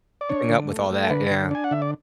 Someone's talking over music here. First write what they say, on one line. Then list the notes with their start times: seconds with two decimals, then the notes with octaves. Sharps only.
keeping up with all that, yeah.
0.21 D5
0.29 D4 C#5
0.50 D3
0.69 A3
0.91 A3
1.10 D3 B4
1.31 D3
1.51 D4 G#5
1.64 F#5
1.71 D3 E5
1.82 D5